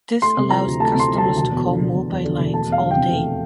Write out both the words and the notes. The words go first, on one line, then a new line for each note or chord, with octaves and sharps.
This allows customers to call mobile lines all day.
A3 C6
C3
F3 A#5
D2
A3 A5
C3
C6
F3
A5
D2
E1 A5
E2
D3
E1
E1
E2
D3
E1
A3 A5
E2
F5
D3
G5
F1
A3